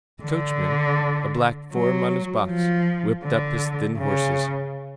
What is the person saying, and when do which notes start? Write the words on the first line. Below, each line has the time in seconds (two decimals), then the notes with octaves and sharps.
The coachman, a black form on his box, whipped up his thin horses.
0.23 D3
1.73 F#3
2.49 F3
3.24 D3
3.98 C#3